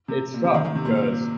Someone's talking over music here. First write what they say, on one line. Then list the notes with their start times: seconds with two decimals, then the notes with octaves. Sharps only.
it's tough because,
0.08 C3
0.34 A#2
0.44 C3
0.54 D#3
0.65 D#3
0.75 C3
0.85 A#2